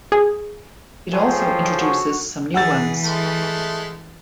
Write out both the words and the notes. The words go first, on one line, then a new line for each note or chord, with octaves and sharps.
It also introduces some new ones.
G#4
F3 G#3 G#4 A4 C#5 G5
F#4
E3 G#4 F#5 E6 A6
G#3 A3